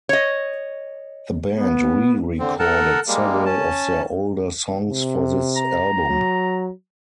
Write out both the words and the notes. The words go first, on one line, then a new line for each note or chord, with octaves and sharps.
The band re-recorded several of their older songs for this album.
C#5 D#5
B3
D3 C4
A4 A#4 F#5 A5
G3 G#3 A#3
C#4 A5
C3
A#5
F#3